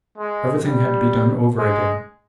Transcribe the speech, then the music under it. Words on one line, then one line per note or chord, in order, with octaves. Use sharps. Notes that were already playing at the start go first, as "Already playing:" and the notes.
Everything had to be done over again.
G#3
G3
G#3